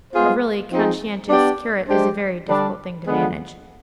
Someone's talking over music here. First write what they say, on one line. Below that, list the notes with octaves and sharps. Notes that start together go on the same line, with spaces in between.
A really conscientious curate is a very difficult thing to manage.
G#3 B3 F4 G#4 C5
F3 C4 D#4 G#4
B3 D4 G4 D5
G#3 D4 G4 C5
D3 G3 D4
D3 F3 G#3 B3